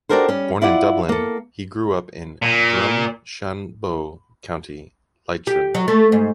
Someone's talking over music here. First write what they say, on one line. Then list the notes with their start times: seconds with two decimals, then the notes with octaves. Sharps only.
Born in Dublin, he grew up in Drumshanbo, County Leitrim.
0.09 D4 F#4 G4 A4 A#4 C5
0.29 G3 C#4
0.62 E4 F4 D5 F#5
1.09 A#3 A4
2.42 A#2
5.47 G4
5.74 F#3
5.88 A3
6.12 G#2